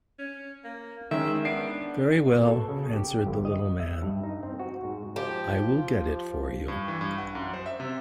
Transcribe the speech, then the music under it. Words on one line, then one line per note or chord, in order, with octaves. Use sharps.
"Very well," answered the little man; "I will get it for you."
C#4
A#3
D#3 G#3 C#4 E5
B3 D4 C7 D7
B2
A4
C#3
G4
G1
D#5
E5
G2
D#4
C4
F#4
G#2
F3 G4
G2
E3
G2
F#5
F#2
C5
E5
C3